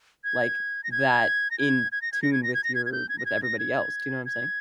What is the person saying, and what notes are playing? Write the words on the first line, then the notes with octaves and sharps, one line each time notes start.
like, that in tune with your with everybody else do you know what I'm saying?
G#6
A#6
G#6
A#6
G#6
G#6
A#6
G#6
A#6
G#6
A#6
G#6
A#6
G#6
G#6
G6
G#6
A#6
G#6
A#6
G#6
G#6